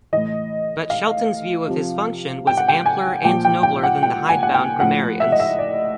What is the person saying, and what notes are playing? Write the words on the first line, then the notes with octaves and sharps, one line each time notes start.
But Shelton's view of his function was ampler and nobler than the hidebound grammarian's.
A2 E3 D#5
F5
C3 F3
G5
F#5
G5
G#5
A#2 F3 G5
G5
G5
F#5
G5
G#5
F#5
G5
A2 F3 F#5
E5
D#5
E5
D5